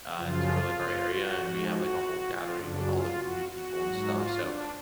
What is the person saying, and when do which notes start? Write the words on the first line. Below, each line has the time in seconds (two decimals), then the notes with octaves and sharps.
uh, tour, like, our area, and we have, like, a whole gathering with all the new people and stuff, so,
0.16 F#2 C#3 F3 F4
1.07 F#4
1.37 G#2 F3
1.67 F#4
2.28 F4
2.58 F#2 C#3 F#3 D4
2.88 F4
3.18 F#4
3.48 F#4
3.79 G#2 F#3
4.09 F4
4.39 D4